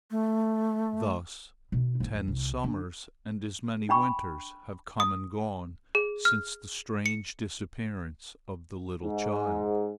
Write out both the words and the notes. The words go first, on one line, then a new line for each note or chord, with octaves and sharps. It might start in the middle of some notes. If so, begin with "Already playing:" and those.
Thus ten summers and as many winters have come and gone since the strange disappearance of the little child.
A3
B2 D#3
G#2 C4
E2
C2
D3
D4 G5 B5 C#6
D#6
G#4
F6
C#7
G#2